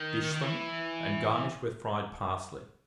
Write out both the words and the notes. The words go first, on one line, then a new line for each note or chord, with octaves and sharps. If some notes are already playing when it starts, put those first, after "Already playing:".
Dish them, and garnish with fried parsley.
Already playing: D#3
D#3
E3